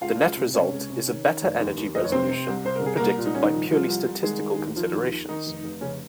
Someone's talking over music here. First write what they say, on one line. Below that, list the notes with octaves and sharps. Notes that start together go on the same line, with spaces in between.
The net result is a better energy resolution than predicted by purely statistical considerations.
C#2 F4 F5
C#2
C3
C3 C#4 C#5
C#2
C3
D#3
D#3
F1
D#2
D#2
F1 D#5
C#5
C3 C4 C5
C3
C2
C3 C5
A#4
C2 G#4
C2 A#3 A#4
A#2 F4
D#4
C2 C#4
D#3 D#4
F3
C2 F3 F4
C2
C2
D#3 G#3 G#4
D#3
D#2
D#3 F3 F4
D#2
D#3
D#3 D#4
F1
F1
F1 C#3 C#4